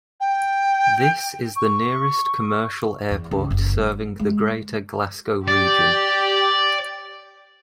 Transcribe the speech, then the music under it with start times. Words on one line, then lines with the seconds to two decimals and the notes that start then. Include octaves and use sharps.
This is the nearest commercial airport serving the Greater Glasgow region.
0.20 G5
1.56 C#6
3.11 E2
3.31 C#2
3.51 F#1
3.77 G3
4.19 G#3
5.48 G4 D5